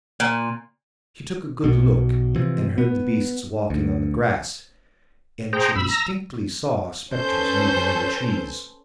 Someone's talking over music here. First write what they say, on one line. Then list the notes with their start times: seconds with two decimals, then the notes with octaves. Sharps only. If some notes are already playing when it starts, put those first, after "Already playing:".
She took a good look, and heard the beasts walking on the grass, and she distinctly saw spectres moving in the trees.
0.20 A#2
1.64 B1 B2
2.36 C3 E3 F3
2.78 B3
3.70 D2
5.53 G#4 C5 G5 A#5
5.75 F#2 B5 E6
5.89 A#5 E6 A#6
7.14 C#4 A4 B4 C5 G6